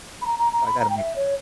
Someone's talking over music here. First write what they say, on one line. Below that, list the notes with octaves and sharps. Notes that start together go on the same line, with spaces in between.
I gotta meet them up.
B5
A#5
A#5
A#5
B5
A#5
G5
E5
C#5